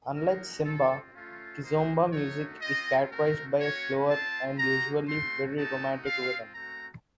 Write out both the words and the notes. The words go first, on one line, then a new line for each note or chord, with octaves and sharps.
Unlike semba, kizomba music is characterized by a slower and usually very romantic rhythm.
A#3 D#4 F#4 A#4
C4 F4 A4
A3 C#4 F4
A#3 D#4 F#4 C5
A3 D#4 F#4 C#5
C4 F4 D#5
A3 C4 F#4 A#4
A#3 C#4 F#4 C#5
C4 F4 A5
A#3 D#4 F#4 A#5
A3 C4 F#4 C6
A3 D#4 F#4 A5
C4 F4 F5
A3 C4 F#4 A#5